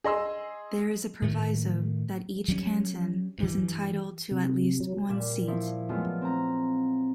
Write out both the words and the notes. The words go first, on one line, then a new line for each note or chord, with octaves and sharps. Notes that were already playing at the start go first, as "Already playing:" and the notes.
There is a proviso that each canton is entitled to at least one seat.
G#4 D#5 C6 E6
A2 D#3 A3
F#3 G3 A#3 C#4
G2 E3
C3
F#3
A#2 G3 G#6 E7
F3 E4
F#3 G#3 A3 B3 F4
C4 A#5